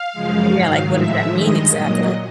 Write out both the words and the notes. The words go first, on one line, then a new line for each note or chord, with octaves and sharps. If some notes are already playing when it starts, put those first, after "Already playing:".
Yeah, like what does that mean exactly?
Already playing: F5
F#2 C#3 F3 G#3
G#2 D#3 F#3
A2 F3 G#3 E5
G2 D#3 G#3 D#5
A#2 F#3 D#5